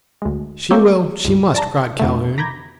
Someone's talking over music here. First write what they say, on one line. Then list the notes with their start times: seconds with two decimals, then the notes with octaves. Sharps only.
"She will, she must," cried Calhoun.
0.22 D2 G#3
0.71 A#3 C4 C#5 D6 E6 G6
1.24 C#2 G2
1.55 D5 A5 A#5
2.00 F2 D3 A3
2.38 A#5 B5 D6 G6 G#6 A#6